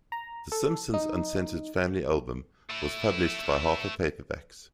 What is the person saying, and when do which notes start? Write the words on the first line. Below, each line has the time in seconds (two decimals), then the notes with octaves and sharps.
"The Simpsons Uncensored Family Album" was published by Harper Paperbacks.
0.12 A#5
0.52 A4
0.94 D#4
2.70 A3 E4